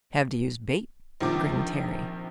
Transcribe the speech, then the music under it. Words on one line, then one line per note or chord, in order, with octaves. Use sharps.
"Have to use bait," grinned Terry.
A#1 C3 D#3 F3 D6